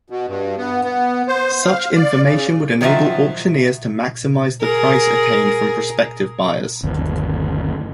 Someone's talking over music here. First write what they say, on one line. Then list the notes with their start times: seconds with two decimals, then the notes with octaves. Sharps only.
Such information would enable auctioneers to maximise the price attained from prospective buyers.
0.10 B2
0.28 G2
0.58 B3
0.84 B3
1.28 C5
1.64 F5
1.94 D5
2.24 C#3
2.81 D#3 F3 F#3 F4 E5
4.61 G#4 A#4
6.83 G1 D#2